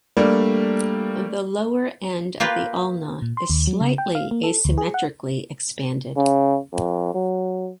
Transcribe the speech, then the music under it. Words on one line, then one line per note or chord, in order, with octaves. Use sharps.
The lower end of the ulna is slightly asymmetrically expanded.
G3 A3 A#3 D4
A#3 F4 G4 B4
A#2
C6
D#2
F#3
C#3
G5
F5
A#3
A4
D2
G#4
F#5
C#3
F2
F#3